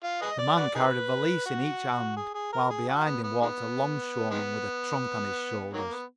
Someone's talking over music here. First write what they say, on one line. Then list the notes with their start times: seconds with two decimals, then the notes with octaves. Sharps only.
The man carried a valise in each hand, while behind him walked a 'longshoreman with a trunk on his shoulder.
0.03 F4
0.22 G#4 B4 D#5
0.38 D5
0.56 F#4 B4 D5
0.75 D#4 G#4 B4
1.46 F#4
2.17 G#4
2.35 G#4
2.53 A#4
2.70 G#4
2.89 F#4
3.06 B3
3.24 B3
3.42 D#3 G#3 B3
4.31 D#3 G#3 B3
5.73 D#3 F#3 A#3
5.91 B3